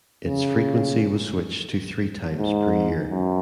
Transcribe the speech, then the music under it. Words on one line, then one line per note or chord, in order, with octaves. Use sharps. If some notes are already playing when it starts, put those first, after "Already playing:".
Its frequency was switched to three times per year.
C#3
G#2
F#2